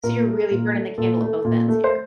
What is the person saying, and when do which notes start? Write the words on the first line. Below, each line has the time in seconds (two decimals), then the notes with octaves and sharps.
so you're really burning the candle at both ends here.
0.04 A#2 A#4
0.27 A3
0.51 A#2
0.74 A3
0.98 A#2 A4
1.21 A3
1.45 A#2
1.68 A3
1.84 C5